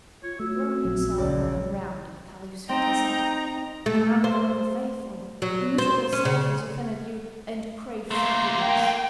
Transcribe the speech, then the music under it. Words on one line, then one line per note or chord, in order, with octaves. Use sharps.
Throwing himself on the ground at the Caliph's feet, he said: "Commander of the Faithful, your miserable slave has offended you, and craves forgiveness."
F4 C#5
A3 F#4 E5
A#1 F#3
F#1 C#2 C#5 D5
C4 D#4 G5 A#5
A3
C5
F#3
C5
C#4
C#3
A3 A#3 C6
G5